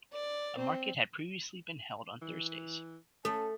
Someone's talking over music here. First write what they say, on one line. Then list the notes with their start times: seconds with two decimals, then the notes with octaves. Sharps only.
A market had previously been held on Thursdays.
0.13 D5
0.57 C4
2.22 E3
3.25 A3 C#4 A4 A5